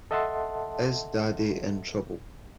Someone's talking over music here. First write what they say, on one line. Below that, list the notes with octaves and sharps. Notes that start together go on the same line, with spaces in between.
Is Daddy in trouble?
A4 D#5 E5 F#5 A5 C6